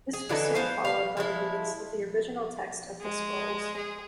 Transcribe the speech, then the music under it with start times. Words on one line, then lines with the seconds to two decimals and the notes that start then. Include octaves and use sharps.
This was soon followed by the release of the original text of the scrolls.
0.13 G#4
0.29 D3 E3 D#4 A4
0.55 B3 C5 F5 G#5
0.85 B4 F5
1.17 F3 G#3 E4
3.01 G#3
3.77 G#4